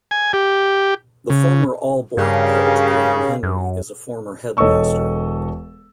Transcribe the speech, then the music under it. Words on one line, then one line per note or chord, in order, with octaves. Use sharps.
The former All Black coach Graham Henry is a former headmaster.
G#5
G4
C#3
G2 C#3 G4 A#4 F5
F#2
E1 A4 C#5 D#5 C#6 E6